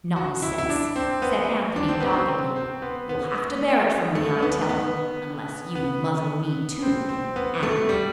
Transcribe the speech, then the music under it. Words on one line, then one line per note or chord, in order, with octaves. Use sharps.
"Nonsense!" said Anthony doggedly; "you'll have to bear it from me, I tell you--unless you muzzle me too with an Anna."
F#4
E4
E4
D4
C4
B3
D4
C4
B3
C4
C4
B3
B3
A3
B3
B3
B3
C4
C4
B3
A3
G3